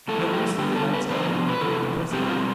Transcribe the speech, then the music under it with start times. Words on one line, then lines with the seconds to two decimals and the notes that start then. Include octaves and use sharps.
He unloosed the knight's armour and gave it to Perceval.
0.08 G2 F3 A3 E4 A4
0.33 G4
0.58 D3 G3 B3 G4
0.72 G4
0.76 A4
0.93 B4
1.10 F2 C3 F3 B3 D4 C5
1.49 B4
1.61 E2 C3 E3 A4
2.12 B2 G3 C4 G4
2.29 F4